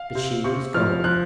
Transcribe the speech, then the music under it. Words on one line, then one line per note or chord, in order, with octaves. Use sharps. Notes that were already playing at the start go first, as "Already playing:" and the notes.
But she was gone.
Already playing: F5
C3
C3 C#6
F3 F6
F3 F#6